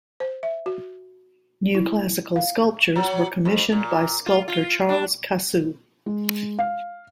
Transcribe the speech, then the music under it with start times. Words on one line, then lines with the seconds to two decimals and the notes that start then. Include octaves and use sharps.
New classical sculptures were commissioned by sculptor Charles Cassou.
0.20 C5
0.43 E5
0.66 F#4
1.75 E4
2.36 F5
2.96 F#3
3.45 F2
3.72 A#2
4.26 F4
4.48 F4
4.89 D4
6.06 G#3
6.59 F5